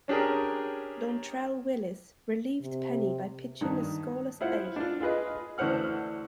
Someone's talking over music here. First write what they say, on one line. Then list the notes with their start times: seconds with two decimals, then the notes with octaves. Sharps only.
Dontrelle Willis relieved Penny by pitching a scoreless eighth.
0.08 C#4 D4 G4 G#4 A#4
2.61 C3
3.61 G2 D#3
4.41 E4 F4 C5 F#5
4.76 D4 F4
5.00 F4 G#4 B4 D#5
5.58 D2 E3 C5 F#5 F6